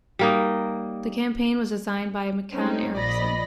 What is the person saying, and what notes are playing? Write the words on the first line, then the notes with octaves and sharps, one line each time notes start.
The campaign was designed by McCann Erickson.
G3 A#3 D#4
G3 A3 C4 C#4 D#4
A#1 F3 D5 D#5 B5 A#6